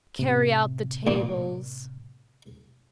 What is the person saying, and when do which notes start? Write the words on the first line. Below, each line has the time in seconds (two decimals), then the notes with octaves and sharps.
"Carry out the tables."
0.19 A2 C3
1.07 D2 A#2